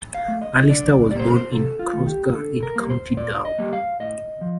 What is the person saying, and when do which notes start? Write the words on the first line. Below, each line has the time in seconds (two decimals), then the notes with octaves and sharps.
Allister was born in Crossgar in County Down.
0.14 F5
0.28 A3
0.41 D#5
0.69 D3 D5
1.11 G3 D5
1.15 A#3 C5
1.27 A#4
1.36 C5
1.52 C3 A4
1.79 F4
1.93 D#3 A3
2.07 G4
2.34 D3 A4
2.63 A#4
2.76 G3 A#3
2.90 C5
3.17 A#2 D5
3.45 D#5
3.58 G3 A#3
3.73 F5
4.00 A2 D#5
4.41 F3